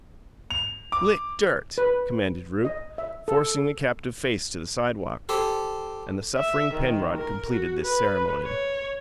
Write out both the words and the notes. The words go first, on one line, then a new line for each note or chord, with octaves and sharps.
"Lick dirt," commanded Rupe, forcing the captive's face to the sidewalk; and the suffering Penrod completed this ceremony.
F7
D6
B4
D#5
E5
A4
G4 A4 C5
E5
D#3
A#4
F#4
B4
C#5